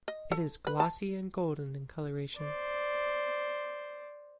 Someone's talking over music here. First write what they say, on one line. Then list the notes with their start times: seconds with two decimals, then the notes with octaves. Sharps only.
It is glossy and golden in colouration.
0.08 D#5
0.32 A4
0.67 B4
0.80 A5
2.38 C5 D5